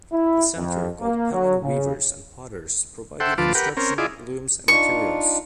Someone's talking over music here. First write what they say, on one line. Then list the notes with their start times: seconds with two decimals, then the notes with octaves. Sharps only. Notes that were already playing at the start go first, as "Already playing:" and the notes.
The center, called Penland Weavers and Potters, provided instruction, looms, and materials.
0.11 E4
0.56 F2
1.00 A#3
1.32 F#3
1.61 C#3
3.20 A4 C5 E5 F#5 G5
3.38 D2 F3 F4 B4 A5 D6
3.55 G4 A#4 B4 F#5
3.77 C4 C#4 A#4
3.98 E4 F4 G#4 D5 D#5
4.68 D4 D#4 F4 C#6